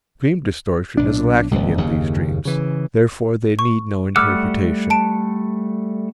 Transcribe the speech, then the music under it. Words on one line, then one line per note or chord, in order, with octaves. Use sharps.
Dream distortion is lacking in these dreams, therefore they need no interpretation.
B1 D4
D#1 C#2
F#1 D#2 C#3
C#3 E3
C#6
G3 A3 F#5 D6 E6 F6
A5 D7